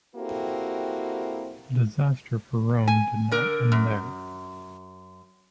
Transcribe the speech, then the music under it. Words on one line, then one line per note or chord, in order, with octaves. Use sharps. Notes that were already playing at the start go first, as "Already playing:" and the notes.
The disaster for Rome did not end there.
A#3 C4 E4 F#4 G4 A4
G#5
D3 A#4
F#2